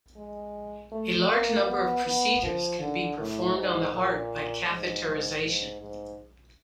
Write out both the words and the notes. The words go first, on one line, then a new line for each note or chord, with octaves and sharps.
A large number of procedures can be performed on the heart by catheterization.
G#3
A3
A#3
B3
B3
F3
D3
A2
G#2
A#2
G#2
G#2
G#2